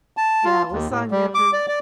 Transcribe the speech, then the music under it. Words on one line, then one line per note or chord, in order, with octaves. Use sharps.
Yeah, what song never
A5
F4
D#2
A2
G3
D6
D5
D5